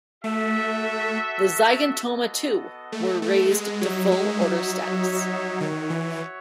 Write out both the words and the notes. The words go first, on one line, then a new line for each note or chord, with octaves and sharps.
The Zygentoma too, were raised to full order status.
A3 F#4 A4 E5
B3 F#4 A4 D#5
A3
A3
G#3
F#3 D#4 F#4 C#5 E5
G#3
F#3
D#3 F#4 C#5 E5
E3